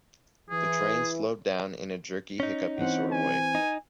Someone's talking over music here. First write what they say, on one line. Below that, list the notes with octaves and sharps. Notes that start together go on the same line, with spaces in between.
The train slowed down, in a jerky hiccuppy sort of way.
E3 G#4
C#4 D#4
E3 C4 F#5
G#5
D#4